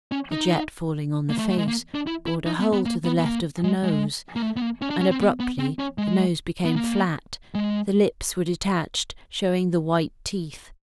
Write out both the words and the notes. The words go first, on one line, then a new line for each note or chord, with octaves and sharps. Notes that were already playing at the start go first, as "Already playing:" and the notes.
The jet falling on the face, bored a hole to the left of the nose. And, abruptly, the nose became flat, the lips were detached, showing the white teeth.
C#4
D#4
A#3
A3
A3
G#3
A#3
D4
E4
E4
D#4
B3
B3
A#3
B3
B3
A#3
G#3
G#3
A#3
A3
B3
A#3
C#4
D4
C#4
C4
B3
B3
C4
C#4
G#3
B3
A#3
G#3